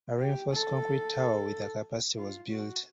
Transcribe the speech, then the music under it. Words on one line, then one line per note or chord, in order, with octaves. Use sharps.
A reinforced concrete tower with a capacity was built.
G4
A4
F4
F#4